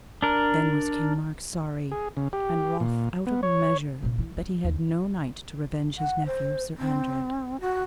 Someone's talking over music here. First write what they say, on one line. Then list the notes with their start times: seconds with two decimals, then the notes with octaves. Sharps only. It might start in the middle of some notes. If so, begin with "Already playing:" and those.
Then was King Mark sorry and wroth out of measure that he had no knight to revenge his nephew, Sir Andred.
0.23 D4 A#4
1.91 G#4
2.17 C#3
2.33 G4
2.80 A#2
3.27 B3
3.43 C#5
4.03 A#2 C#3
4.18 E3
4.37 F#3
4.64 D#2
5.98 F#5
6.26 C5
6.78 C4
7.61 F#4